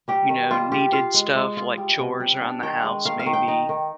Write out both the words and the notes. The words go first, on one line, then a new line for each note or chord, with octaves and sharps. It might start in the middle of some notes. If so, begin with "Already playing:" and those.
you know, needed stuff, like chores around the house maybe,
G3 G4
D#3
G3 F4
F4 G4
F4 F5
G#3
G#3
F4
G3
C3
G3
D4
D#3 G5
G#3
D#3 F5
F5
D#3
G5
D#4
D#3